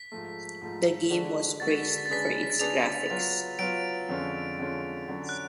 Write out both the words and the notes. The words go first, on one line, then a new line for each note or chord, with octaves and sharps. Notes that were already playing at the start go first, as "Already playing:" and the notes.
The game was praised for its graphics.
Already playing: B6
G#2 F3 A3
G#2 F3 A3
D3 G#3 D4 F#4 A4
D3 G#3 D4 F#4 A4 A6
B6
A6
B6
A6
B6
A6
C#3 G#3 D4 G#4 B4 B6
A6
B6
A6
B6
A6
C#3 G#3 D4 G#4 B4 F7
F#3 B3 F4
F#3 B3 F4 D7
F2 D3 G#3 C#4 F4
F2 D3 G#3 C#4 F4
D3 F#3 C#4
F#6